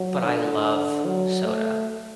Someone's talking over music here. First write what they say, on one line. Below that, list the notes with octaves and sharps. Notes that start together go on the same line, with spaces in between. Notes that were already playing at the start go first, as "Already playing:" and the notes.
but I love soda,
Already playing: F#3
D3
F#3
A3